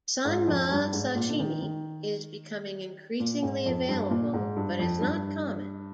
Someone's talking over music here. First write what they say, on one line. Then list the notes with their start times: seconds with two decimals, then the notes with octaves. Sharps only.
"Sanma" sashimi is becoming increasingly available but is not common.
0.25 G#2
0.48 F2
0.71 G2
0.93 G#2
1.16 A#2
1.29 D3
1.39 D#3
1.62 D#3
3.20 A#2
3.43 G#2
3.66 F2
3.88 G2
4.10 A#2
4.33 G#2
4.56 G2
4.79 F2
5.01 G2